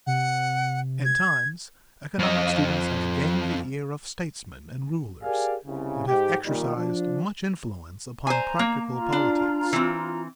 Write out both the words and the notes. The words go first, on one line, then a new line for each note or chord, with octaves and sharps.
At times economic students have gained the ear of statesmen and rulers, and have exercised much influence upon practical politics.
C3 F#5
G#6
F2 D#5
G4 G#4 A#4 D5 F5 G#5
C2 C#3
G#2 G4
A#2 D#3 G3
F3 D4
C5 G#5 A#5
A#3
F4 A#5
D4
E3 C4